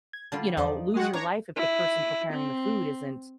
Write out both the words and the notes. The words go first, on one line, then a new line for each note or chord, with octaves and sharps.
you know, lose your life if the person preparing the food isn't,
G#6
D3 G3 F4 A5
E2 F3 D#4 C5 D5
G#3 F#4 F#5 G5 D#6
D4 C#5 A#5
E4
C4